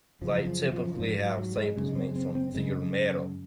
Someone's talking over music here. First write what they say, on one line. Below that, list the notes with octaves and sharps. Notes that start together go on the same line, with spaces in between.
They typically have staples made from thicker metal.
F#2 C#3 F3
F3
F3
D#3
G#2 F3
F#3
F#3
G#3
F#2 C#3 G#3
C4
C4
C4
F#2 C#3 G#3